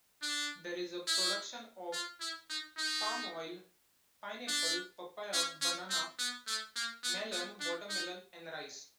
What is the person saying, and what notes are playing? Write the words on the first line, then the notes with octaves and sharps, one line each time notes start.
There is a production of palm oil, pineapple, papaya, banana, melon, watermelon and rice.
D4
E4
F4
E4
D#4
D#4
D4
C#4
C#4
C4
B3
A3
A#3
B3
B3
D4
D#4